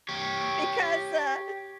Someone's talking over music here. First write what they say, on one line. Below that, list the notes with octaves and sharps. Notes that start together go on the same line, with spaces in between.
Because, uh,
G4 C#5